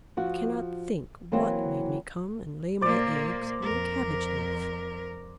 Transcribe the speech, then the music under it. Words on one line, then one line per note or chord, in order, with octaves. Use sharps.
I cannot think what made me come and lay my eggs on a cabbage-leaf!
F3 F#4
E3 F#3 A#3 C4
A#2 A#3 C5 D5
F2 A#4